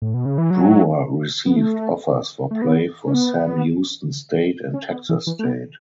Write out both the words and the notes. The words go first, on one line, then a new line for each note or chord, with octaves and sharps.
Brewer received offers for play for Sam Houston State and Texas State.
A2
B2
C#3
E3
F#3
B3
A3
A3
B3
C#4
B3
C#4
B3
E3
E3
A3
B3